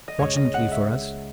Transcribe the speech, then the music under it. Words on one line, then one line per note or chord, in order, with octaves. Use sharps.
"Fortunately for us."
D#5
C#2 C#3 G#3 C#5
D#5
F#5
E5